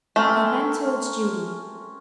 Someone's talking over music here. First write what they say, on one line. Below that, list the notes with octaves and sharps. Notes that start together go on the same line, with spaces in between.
He bent towards Julie.
A3 C4 C#4 A#4